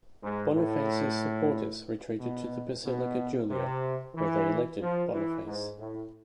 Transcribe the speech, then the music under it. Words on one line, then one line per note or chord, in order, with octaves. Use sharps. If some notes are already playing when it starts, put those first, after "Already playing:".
Boniface's supporters retreated to the basilica Julia, where they elected Boniface.
G#2
A2
B2
B2
C3
E3
F3
E3
G#2
A2